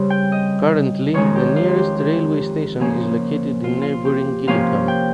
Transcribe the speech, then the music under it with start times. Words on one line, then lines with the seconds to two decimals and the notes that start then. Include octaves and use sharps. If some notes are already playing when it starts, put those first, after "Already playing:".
Currently the nearest railway station is located in neighbouring Gillingham.
Already playing: C#3 G3 C4
0.10 G5
0.32 D#5
1.14 F2 D#3 G#3 C#4 C#5
1.36 G4
1.56 F4
1.76 G4
1.98 G4
2.80 C#3 F3 A#3 C#4
3.64 F4
3.82 F4
4.05 G4
4.47 C3 F3 A#3 C#4 F5
4.88 G5